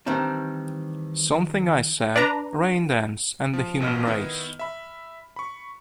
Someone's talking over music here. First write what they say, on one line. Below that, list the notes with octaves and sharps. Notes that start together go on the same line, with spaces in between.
"Something I Said", "Raindance" and "The Human Race".
D#3 E3 G3 C4 D4
D4 B4 A#5
F3
A1 B2 D#5 F6
D#3 B3 E4 D#5
E5 B5
B5 C#6